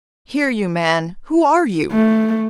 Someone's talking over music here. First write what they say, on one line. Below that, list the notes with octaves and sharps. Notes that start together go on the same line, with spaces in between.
Here, you man, who are you?
A3